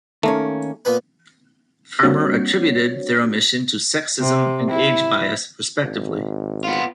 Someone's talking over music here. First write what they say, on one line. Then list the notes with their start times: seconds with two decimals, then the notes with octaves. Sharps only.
Farmer attributed their omission to sexism and age bias, respectively.
0.23 D#3 A3 A#3 C#4
0.85 A#2 B3 B4
2.03 G3 A#3 C4 D4 F#4 C#5
4.20 C3
4.70 E4
5.84 G#1
6.64 B3 F4